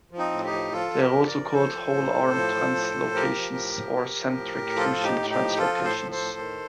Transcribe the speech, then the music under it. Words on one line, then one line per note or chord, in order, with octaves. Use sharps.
They are also called whole-arm translocations or centric-fusion translocations.
F3
C4 D#4
A2
D#4 G4
F3
F3 F4 A4
F3
G4 A#4
F3
A#4 D5
F3
F3 A4 C5
F3
A2
A2
F3
F3
A2
F3
F3 G4 A#4
F3
A2
F3
F3
F3
A2
A2
F3 F4 A4
A2
D#4 G4
A2
D#4 G4
F3
F3 F4 A4
A2
A4 C5
F3
A4 C5
A2
D#3